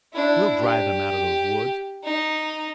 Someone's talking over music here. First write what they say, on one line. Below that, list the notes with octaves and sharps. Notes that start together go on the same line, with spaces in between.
"We'll drive them out of those woods."
D4 E4
G4
D#4